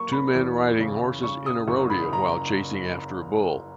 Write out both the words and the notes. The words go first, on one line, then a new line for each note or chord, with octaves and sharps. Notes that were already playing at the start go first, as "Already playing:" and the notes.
Two men riding horses in a rodeo while chasing after a bull.
Already playing: F#3 A#3 C#6
B5
E2
C#3
C#3 C#6
D#6
F#1 C#6
B5
F#1 A#5